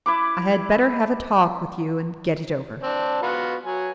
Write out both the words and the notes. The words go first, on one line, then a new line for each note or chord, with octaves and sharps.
"I had better have a talk with you and get it over."
E4 B4 D6
C4 D4
B3 F4 F#4
F#3 G#5